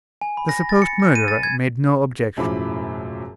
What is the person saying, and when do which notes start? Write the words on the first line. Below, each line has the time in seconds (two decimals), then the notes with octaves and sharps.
The supposed murderer made no objection.
0.22 G#5
0.37 B5
0.49 A#6
0.69 A6
0.82 C#7
1.00 A#6
1.15 D#7
1.28 A6
1.43 G#6
2.37 E1 F#2 A2 F3 B5 D6